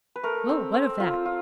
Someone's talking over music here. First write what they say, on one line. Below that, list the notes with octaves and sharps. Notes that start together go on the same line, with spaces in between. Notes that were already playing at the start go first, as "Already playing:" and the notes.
"Well, what of that?"
B4
A3 A#4
C4
C4
F4
F4